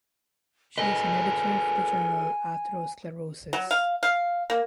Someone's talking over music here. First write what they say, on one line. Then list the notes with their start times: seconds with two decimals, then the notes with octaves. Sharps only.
She is an editor for the journal Atherosclerosis.
0.78 G#4 A4 B4 D#5 G#5
3.53 F#3
3.71 F5
4.03 F5
4.50 A#3